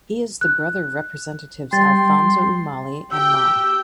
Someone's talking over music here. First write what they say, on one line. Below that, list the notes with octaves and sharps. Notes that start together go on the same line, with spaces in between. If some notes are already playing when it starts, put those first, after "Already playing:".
He is the brother of Representatives Alfonso Umali and Ma.
F#6
G3 G5 C6 A6
G4 G5 E6